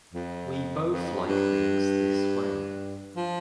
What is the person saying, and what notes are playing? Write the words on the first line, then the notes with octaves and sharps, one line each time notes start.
We both like things this way.
F2
F2
G2
F3